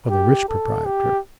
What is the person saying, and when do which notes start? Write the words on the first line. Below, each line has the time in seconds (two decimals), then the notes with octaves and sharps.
For the rich proprietor.
0.10 G4
0.48 A4
0.85 G4